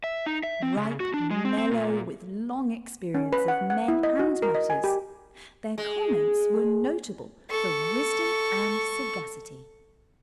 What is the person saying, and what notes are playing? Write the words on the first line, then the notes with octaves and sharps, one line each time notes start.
Ripe, mellow with long experience of men and matters, their comments were notable for wisdom and sagacity.
E5
D#4
E5
C4
C#3
F#4
D4
G#3
C4
C4
A#2
C#4
B4
F#5
F#5
E4
D#5
F#4
A#4
D#5
G#5
G4
G#3
A4 C#6